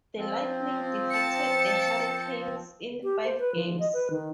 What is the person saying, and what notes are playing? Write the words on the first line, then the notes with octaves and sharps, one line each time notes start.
The Lightning defeated the Hurricanes in five games.
F3 C4
A5 C#7
G4
C5
B4
F3
D#5
B4
D#3